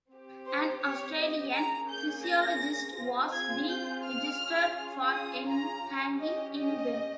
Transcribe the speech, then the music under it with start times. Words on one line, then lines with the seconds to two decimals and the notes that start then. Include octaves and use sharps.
An Australian psychologist was de-registered for engaging in them.
0.10 C4 G4
0.47 C5
0.82 C#5
1.19 D#5
1.54 A#3 C#4 G#4 A#5
1.90 G6
2.25 A#6
2.97 C4 F4 G#4
3.33 G#6
3.69 G6
4.05 F6
4.40 C#4 F4 G#4
5.12 D#6
5.48 A#5
5.83 C#4 G4
6.20 D#5
6.56 D#5